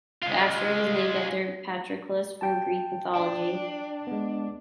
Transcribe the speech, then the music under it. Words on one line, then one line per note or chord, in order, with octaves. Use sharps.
The asteroid was named after Patroclus from Greek mythology.
G#3 F4
G5 A5
D4
G#3 B3